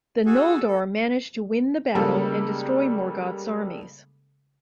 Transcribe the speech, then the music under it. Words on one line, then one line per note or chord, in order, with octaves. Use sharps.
The Noldor managed to win the battle, and destroy Morgoth's armies.
F#4 G#4 A4
A4
C#3 G3 G#3 A#3 A4